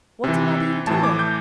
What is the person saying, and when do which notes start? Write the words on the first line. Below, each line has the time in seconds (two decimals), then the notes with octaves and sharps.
What have I been doing?
0.24 C3 E3
0.87 A2 E3 A5
1.03 D6
1.19 G6